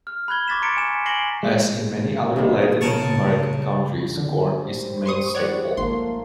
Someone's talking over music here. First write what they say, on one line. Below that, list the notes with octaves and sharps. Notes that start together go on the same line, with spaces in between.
As in many other Latin American countries, corn is a main staple.
F6
B5 F#6 G#6 G7
C#6 D6 A6 B6 E7
A#5 C6 A6 B6 C#7 D7
G#5 E7
G#5 A#6 C7 D7 F#7 G7
G#3
A#4 F5
D#2 G3 D4 D#4 A4 A#4
C4 G#4
C#3 A#4 A5 C#6
D#2 B2 D3 E4
G3 C5
C6 C#6 D#6
C#5 D5 F#5
G#1 F3 A3 A#3 C6